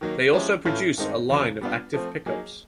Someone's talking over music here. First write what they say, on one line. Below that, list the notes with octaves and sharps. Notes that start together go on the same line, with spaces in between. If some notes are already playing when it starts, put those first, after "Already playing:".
They also produce a line of active pickups.
D#3 F#3 A#3 D#4
F3 G#3 C#4 E4 G4
A2 E3 A3 C#4 F4
G2 D#3 G#3 C4 D#4
E2 C#3 F#3
G3 B3 D4 F4
F3 A3 C4
F#3 A#3 D#4 G#4